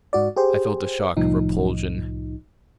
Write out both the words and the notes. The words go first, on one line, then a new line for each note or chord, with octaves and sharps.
I felt a shock of repulsion.
G#2 F#4 D5
G4 G#4 C5
C2 A2 F3 D#4